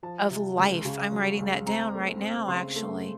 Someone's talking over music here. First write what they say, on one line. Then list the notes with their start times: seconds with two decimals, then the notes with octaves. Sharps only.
of Life. I'm writing that down right now, actually.
0.03 F3 A5
0.30 C3
0.58 C#2
0.85 C#3
1.12 F#3
1.39 C#2
1.66 C4 A#5
1.94 A3
2.21 C4
2.48 C#3 C6
2.76 A3